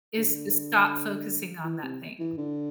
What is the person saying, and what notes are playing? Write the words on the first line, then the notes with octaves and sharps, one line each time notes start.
is to stop focusing on that thing.
D3
E3
C3
E3
D3